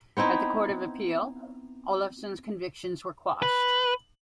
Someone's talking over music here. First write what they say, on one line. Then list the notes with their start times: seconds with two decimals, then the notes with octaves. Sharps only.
At the court of appeal, Olofsson's convictions were quashed.
0.17 B3 C4 D#4 E4
3.42 B4